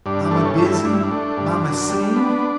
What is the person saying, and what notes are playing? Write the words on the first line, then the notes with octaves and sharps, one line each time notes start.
"Mama busy; mama sing."
G2 D4
D4
A3
C#4
G2
E4
G2 D4
E4
D4
A3
G2
F#2
G3
B3